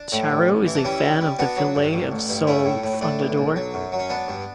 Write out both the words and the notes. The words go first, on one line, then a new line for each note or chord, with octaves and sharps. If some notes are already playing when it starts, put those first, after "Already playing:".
Charo is a fan of the filet of sole fundador.
Already playing: D4
A2
A1
A1
E3
D4
G3 C#4 E4
G3
G3
B3 D4 F#4
F#3
G2
A1
A1
G2
A3 C#4 E4
A2
A2
A2 D4
B1
B1
F#3
F#2
F#3
C#4
B3 D4
G2